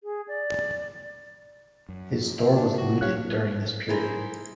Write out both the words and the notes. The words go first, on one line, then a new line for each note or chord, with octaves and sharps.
His store was looted during this period.
G#4
D5
F#2
C#3 E5
D4
F#4
C2 G2 B2 G4 C#5 F5 F#6
E4 G#4 A#4 C5